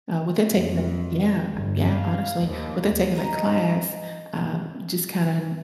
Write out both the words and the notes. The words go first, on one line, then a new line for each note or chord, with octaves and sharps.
uh, within taking that yeah, yeah, honestly. Within taking that class, uh, just kinda
F2
G1
F5
D#2
D#4 D#5 A#5